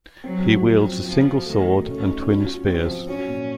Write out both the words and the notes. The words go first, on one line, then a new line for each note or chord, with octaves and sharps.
He wields a single sword and twin spears.
F#3 C4
F#4
F3
C4
F3 C4
F#4
D#3 A3
F#4
A3 C#4
D#4
F#3
F4
C4
F3
F#3 C#4
A#2